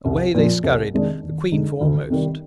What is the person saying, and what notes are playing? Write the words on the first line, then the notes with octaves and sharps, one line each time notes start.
Away they scurried, the queen foremost.
C2
A#2 F3
C2
C3 D#3 G#3 D4
D#2
D3 G#3 D#4
D2
C3 D#3 G3